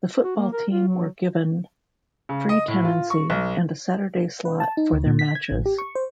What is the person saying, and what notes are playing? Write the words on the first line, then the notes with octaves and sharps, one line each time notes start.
The football team were given free tenancy and a Saturday slot for their matches.
F#4
A#3
A#4
F4
F#3
C#3
D#5
A2
F4
C#6
B1
B4
A5
D#4
D2
A#2
B6
G#6
A1
G4
C#6
C5